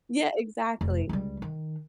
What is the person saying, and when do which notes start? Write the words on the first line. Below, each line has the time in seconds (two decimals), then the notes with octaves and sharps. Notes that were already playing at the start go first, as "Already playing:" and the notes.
Yeah, exactly.
0.81 F1
1.09 C#2 G3
1.42 D#3